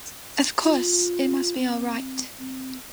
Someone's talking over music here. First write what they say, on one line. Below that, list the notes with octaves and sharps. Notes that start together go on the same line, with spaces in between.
Of course, it must be all right.
F4
C4
C4